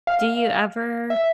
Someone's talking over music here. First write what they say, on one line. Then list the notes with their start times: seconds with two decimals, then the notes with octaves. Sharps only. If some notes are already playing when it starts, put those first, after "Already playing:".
Do you ever
0.07 F5
1.10 E5